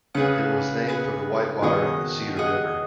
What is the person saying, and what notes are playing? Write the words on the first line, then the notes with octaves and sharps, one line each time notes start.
It was named from the whitewater on the Cedar River.
C#3 G#4 B4 F#5
G#4 B4 F#5
B2 D#3 G#4 D#5 F#5
G#4 D#5 F#5